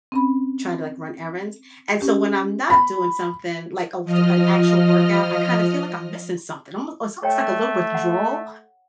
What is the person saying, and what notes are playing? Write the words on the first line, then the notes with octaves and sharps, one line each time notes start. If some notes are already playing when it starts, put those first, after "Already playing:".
try to like run errands, and so when I'm not doing something, like, oh f an actual workout, I kind of feel like I'm missing something. Almo it's almost like a little withdrawal
C4 C#4 B5
C#4 G4
B5
F3 D#5 F6
A3 C#5 G5
F#5